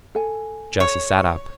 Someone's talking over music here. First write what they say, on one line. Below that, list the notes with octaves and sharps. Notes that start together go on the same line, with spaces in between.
Jesse sat up.
A4 G#5
C#5